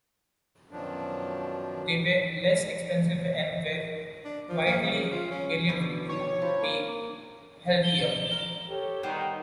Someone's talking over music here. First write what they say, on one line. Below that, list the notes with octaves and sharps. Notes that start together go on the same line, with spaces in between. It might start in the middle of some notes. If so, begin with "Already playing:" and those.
They were less expensive and were widely believed to be healthier.
F#2 B2 D#3 F3 F#3 D4
D4
F3
A#3
C#3
F4
C#4
B2 D3 D4
C#5
F3 G3
A#3
A#4
G4 A4 C#5
D#3 G3 B3 C5